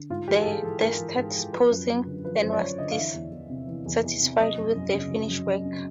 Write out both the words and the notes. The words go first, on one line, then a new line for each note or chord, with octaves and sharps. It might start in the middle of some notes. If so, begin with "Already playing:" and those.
She detested posing, and was dissatisfied with the finished work.
Already playing: D3
G#2 F4
E3 G4
A4
G#2 G#4
E3 A4
G#2 A#4
E3
G#2
E3
F3 B4
F#2
F#2
D3
F3 B4
F#2 C5
D5
F#2 C#5
D3 D#5
F5
E3 E5
E2
E2
C3
E3
E2
E2
C3
F#3 D#5
F#2
F#2
C#3
F#3
F#2
F#2
C#3